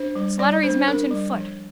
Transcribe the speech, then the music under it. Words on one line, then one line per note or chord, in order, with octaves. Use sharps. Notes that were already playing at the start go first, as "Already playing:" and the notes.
Slattery's mounted foot.
Already playing: D4 C5
G3
G3 D5
D4 C5
D4 A#4
G3
F3